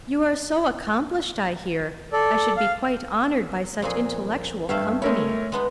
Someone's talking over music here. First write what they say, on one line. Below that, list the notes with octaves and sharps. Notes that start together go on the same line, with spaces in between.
"You are so accomplished, I hear; I should be quite honored by such intellectual company."
A4 D5
F5
F2 A#2 G#4
G2 A3 E5 F5
G#3 A3 E4 A#4 C#5
G#3 B3 D#4